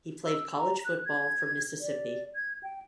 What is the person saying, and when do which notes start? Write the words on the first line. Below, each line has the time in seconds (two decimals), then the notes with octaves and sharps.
He played college football for Mississippi.
0.25 E6
0.58 A#5
0.85 F#6
1.06 G#6
1.80 D5
2.35 G#6
2.63 G5